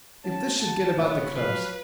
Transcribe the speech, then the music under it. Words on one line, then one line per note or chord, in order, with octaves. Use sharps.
If this should get about the clubs!
C#4 F#4 A5
F#4 A5
D2 B3 F4 C#5
F3 F#3 G4 B4 F5